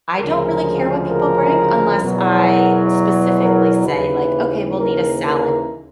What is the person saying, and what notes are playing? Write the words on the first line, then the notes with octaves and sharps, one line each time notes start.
I don't really care what people bring unless I specifically say, like, "Okay, we'll need a salad."
D2 C#3 F3 G#3 A#4
A#4
E2 B2 F#3
A#4
A#4
D#2 C#3 E3 B4
A#4
A#4